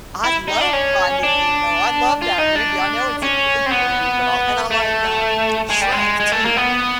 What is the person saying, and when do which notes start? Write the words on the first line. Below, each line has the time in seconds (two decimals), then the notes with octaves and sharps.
I love Finding Nemo, I love that movie, I know it's a kid's movie, but I'll and I like, um, Shrek too.
0.25 E4
0.48 D#4
0.61 D4
0.73 C#4
1.23 D4
2.22 F4
2.39 D#4
2.56 D4
3.23 C#4
3.66 C4
3.71 B3
4.71 A3
5.70 G#3
5.81 G3
5.92 G#3
6.20 G#3
6.32 A3
6.45 A#3
6.57 B3